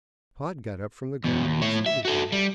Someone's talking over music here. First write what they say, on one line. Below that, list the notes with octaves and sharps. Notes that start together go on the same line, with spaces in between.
Pod got up from the ground excitedly.
E2 B2
D#2
A2 C#5
E5
F#4 A4
G3